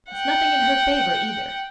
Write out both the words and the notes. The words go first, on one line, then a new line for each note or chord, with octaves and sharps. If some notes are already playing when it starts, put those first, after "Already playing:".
It's nothing in her favour, either.
F#5 G5